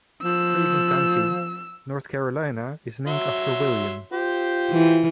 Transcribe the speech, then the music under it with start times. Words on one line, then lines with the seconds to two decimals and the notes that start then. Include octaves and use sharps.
Craven County, North Carolina is named after William.
0.23 F3 E6
3.07 F#3 E5 C6
4.12 F4 G4 C5
4.71 E3